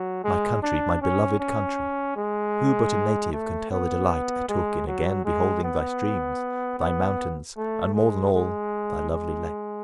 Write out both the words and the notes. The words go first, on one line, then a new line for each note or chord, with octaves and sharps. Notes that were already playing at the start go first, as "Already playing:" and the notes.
My country, my beloved country! who but a native can tell the delight I took in again beholding thy streams, thy mountains, and, more than all, thy lovely lake!
Already playing: F#3
G#3
D4
C#4
C#4
G#3
A3
B3
G#3
F#3
G#3
B3
B3
A3
G#3
G#3
G#3